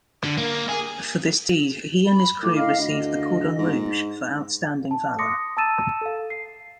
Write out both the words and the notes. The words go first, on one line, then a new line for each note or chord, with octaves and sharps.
For this deed he and his crew received the 'Cordon Rouge' for outstanding valour.
D3
A#3
G#4
B5
A2 D6
D#5 F5 F6
D2 D#5
G#2
A5
C6 D6 D#6 A#6 C#7
A5 A#5 E6 A6 D#7 E7
A4 F5
C7